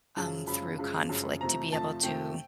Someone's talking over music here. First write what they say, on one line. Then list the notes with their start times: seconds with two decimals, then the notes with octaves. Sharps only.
um, through conflict to be able to,
0.16 F#2 C#3 F3 G#3 A5
0.47 F#2 C#3 F3 G#3 B5
0.79 F#2 C#3 F3 G#3
1.09 F#2 C#3 F3 G#3
1.41 F2 C3 F3 A3 A#5
1.72 F2 C3 F3 A3 A5
2.03 F2 C3 F3 A3 G5